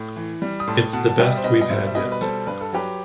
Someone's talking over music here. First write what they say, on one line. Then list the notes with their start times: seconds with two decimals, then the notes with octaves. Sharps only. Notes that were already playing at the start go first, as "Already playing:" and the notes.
It's the best we've had yet.
Already playing: A2
0.16 E3
0.42 G3
0.60 D#6
0.68 A2 A5 C6
0.93 B2 F#5 A5
1.08 A5
1.18 G3 E5 G5
1.37 C5
1.44 B2 B4 D#5
1.61 D#5
1.70 G3 C5 E5
1.87 E5
1.95 B2 B4 D#5
2.12 B4
2.21 G3 A4 C5
2.47 G2 B4
2.61 A4
2.73 F#3 G4 B4